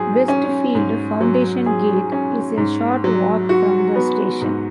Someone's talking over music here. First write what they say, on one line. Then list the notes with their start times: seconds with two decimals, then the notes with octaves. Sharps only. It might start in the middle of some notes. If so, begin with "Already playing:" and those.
Westfield Fountain Gate is a short walk from the station.
Already playing: G#2 F#3 G#4
0.28 C#4
0.75 G#2
1.20 F#3
1.66 G#4
2.12 C#4
2.57 G#2
3.04 F#3
3.49 F#4
3.95 B3
4.41 G#2